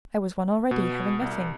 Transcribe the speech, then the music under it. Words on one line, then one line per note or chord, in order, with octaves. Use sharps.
I was one already, having nothing.
B2
C2